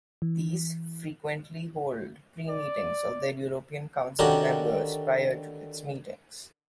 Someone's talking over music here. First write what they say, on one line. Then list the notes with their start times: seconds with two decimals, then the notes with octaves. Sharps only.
These frequently hold pre-meetings of their European Council members, prior to its meetings.
0.22 E3
2.49 D5
4.19 D3 D#3 C#4 F#4 G4 A#4